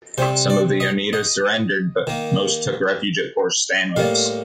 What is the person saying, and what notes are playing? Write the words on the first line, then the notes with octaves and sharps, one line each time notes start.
Some of the Oneida surrendered, but most took refuge at Fort Stanwix.
C3 G3 C4 C5
D5
D#5
D#5
D#3 A#3
A2 G3 A#3 F5